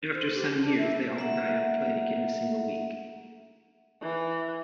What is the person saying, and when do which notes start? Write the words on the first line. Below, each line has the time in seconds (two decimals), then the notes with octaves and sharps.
After some years, they all die of plague in a single week.
0.13 C5
0.35 G4
0.60 D4
0.78 E5
1.17 A#3 E5 F#5
4.01 E3